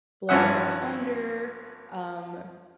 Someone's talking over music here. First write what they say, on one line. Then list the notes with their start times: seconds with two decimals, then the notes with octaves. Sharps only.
Below Deck Down Under, um,
0.29 G#1 G2 F3 C#4 E5 F#5